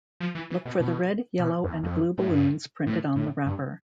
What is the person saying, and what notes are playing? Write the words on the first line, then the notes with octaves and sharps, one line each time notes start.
Look for the red, yellow and blue balloons printed on the wrapper.
F3
E3
E3
B2
B2
B2
F2
E2
F2
A2
G2
A2
A2
G2